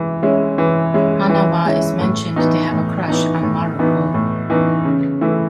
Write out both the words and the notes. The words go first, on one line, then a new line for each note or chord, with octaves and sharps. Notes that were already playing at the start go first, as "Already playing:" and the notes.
Hanawa is mentioned to have a crush on Maruko.
Already playing: E3 G#3
G#3 C#4 E4
E3
G#3 C#4 E4
E3
G#3 C#4 E4
A2
E3 B3 D#4
A2
E3 B3 D#4
A2
E3 B3 D#4
A2
E3 B3 D#4
C#3
E3 A3 E4